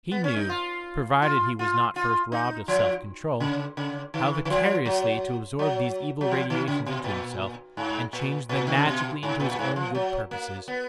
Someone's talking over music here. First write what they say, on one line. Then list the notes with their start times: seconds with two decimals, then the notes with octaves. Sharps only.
He knew--provided he was not first robbed of self-control--how vicariously to absorb these evil radiations into himself and change them magically into his own good purposes.
0.11 B3
0.24 C#4
0.36 D#4
0.49 F4
1.22 F4
1.59 F4
1.96 F4
2.32 D#4
2.68 F3
3.40 C#3
3.77 C#3
4.14 D#3
4.45 D#3
4.50 F3
4.85 F#3
5.59 F#3
6.21 F#3
6.31 F3
6.50 D#3
6.68 C#3
6.86 B2
7.04 A#2
7.77 G#2
8.13 A#2
8.49 A#2
8.67 D#3
8.77 C#3
8.85 B2
9.23 G#2
9.40 A#2
9.51 A#2
9.59 G#2
9.76 F3
9.95 F#3
10.31 A#3
10.68 B3